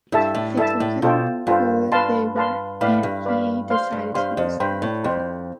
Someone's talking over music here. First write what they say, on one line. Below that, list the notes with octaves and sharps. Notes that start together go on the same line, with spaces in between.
They told him who they were, and he decided to use them.
G2 E4 A4 E5 A5
A2
G2 E4 A4 E5 A5
A2
B2 F4 A4 C5 G5
G2 F4 A4 C5 G5
G2 B4 F5 A5 C6
B4 F5 A5 C6
A2 B4 D5 F5 B5
G2
B4 D5 F5 B5
C5 F5 C6
G2
G2 C5 F5 C6
F2
G2 C5 G5 B5
A2
F2 C5 G5 B5